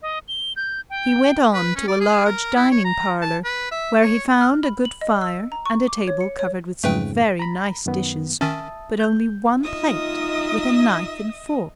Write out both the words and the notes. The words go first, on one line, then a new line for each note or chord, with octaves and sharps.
He went on to a large dining-parlour, where he found a good fire, and a table covered with some very nice dishes, but only one plate with a knife and fork.
D#5
G7
G6
G5
B4
C#4
D5
G#4
A#4
E4
C#5
A#5
A5
B4
E5
C#5
F6
B5
F#7
D#5
E6
A#5
C#6
D6
C#5
C#7
C#5
F2 G#2 C#3 A3 B4 G5
A#5 B5
F#2 D#3 B3
D#3 C#4 E5 A5 D#6
G6
D#4 F4 D#5 E5 D#6